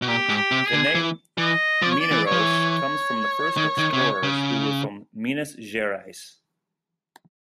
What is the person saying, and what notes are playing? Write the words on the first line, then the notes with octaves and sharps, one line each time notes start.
The name "Mineiros" comes from the first explorers who were from Minas Gerais.
B2
A#2 G4
G#2
G4
C3
G#4
D3
E3
E3 D#5
F3 D5
C#5
D5
E3
C#5
F3
E3
C#5
D#3
D#3
C3
C#3
C#3